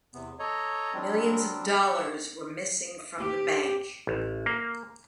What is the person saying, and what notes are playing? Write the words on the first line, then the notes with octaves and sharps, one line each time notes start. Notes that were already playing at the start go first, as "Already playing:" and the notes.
Millions of dollars were missing from the bank.
E2 C3 B3
A4 C#5 D#5 A#5
F#3 G3 C4 D4
G4 F#5 C#6 E6
G4
A1
A#3